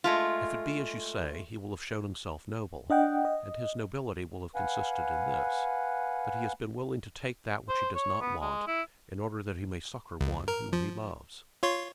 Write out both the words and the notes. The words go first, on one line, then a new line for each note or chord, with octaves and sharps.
If it be as you say, he will have shown himself noble, and his nobility will have consisted in this, that he has been willing to take that which he does not want, in order that he may succour one whom he loves.
G#3 A3 F4
D4 D#5 F#5 G5
D#5
B4 F5 F#5 G#5
C5
C#5
B3
G#3
E4
C#2
A#4
F3
F4 C#5 C6